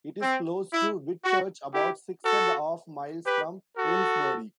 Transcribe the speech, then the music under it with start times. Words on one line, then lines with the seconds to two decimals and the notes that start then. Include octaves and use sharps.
It is close to Whitchurch, about six and a half miles from Aylesbury.
0.22 C4
0.73 E4
1.24 F#4
1.74 E4 G4
2.25 F#4 A4
3.26 G4 B4
3.77 F#4 A4